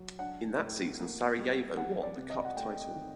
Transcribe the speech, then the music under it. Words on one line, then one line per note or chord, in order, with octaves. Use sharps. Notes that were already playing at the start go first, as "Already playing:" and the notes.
In that season Sarajevo won the cup title.
Already playing: F#3
D4 F#5
A2
A#3
G3
C4 F#5
D5
C3
D#5
F#5
A3 G5
D#3